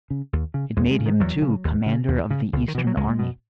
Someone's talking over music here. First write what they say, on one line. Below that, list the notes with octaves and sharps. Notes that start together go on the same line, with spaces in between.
It made him, too, commander of the Eastern army.
C#3
D#2
C#3
E2 G#3
G#3
C#3
D#3
E2 F#3
C#3
D#2
C#3
D#2
C#3
C#2
D#3
B2 E3
F#3
C#2 G#3
B2